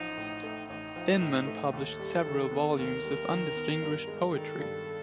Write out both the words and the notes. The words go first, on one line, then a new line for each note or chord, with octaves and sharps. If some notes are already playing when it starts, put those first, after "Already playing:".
Inman published several volumes of undistinguished poetry.
Already playing: A1 F3 D#4
A2
A3
A1 D#4
F3
A2
A3
D#2 A4
G3
D#3
B3
D#2 A#4
G3
D#3
B3
G2
G#3
D#3 A4
G2